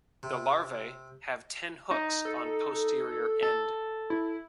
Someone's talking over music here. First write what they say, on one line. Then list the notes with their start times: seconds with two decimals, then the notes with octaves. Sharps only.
The larvae have ten hooks on posterior end.
0.23 C3
1.91 D#4
2.25 A4
3.43 A4
4.10 E4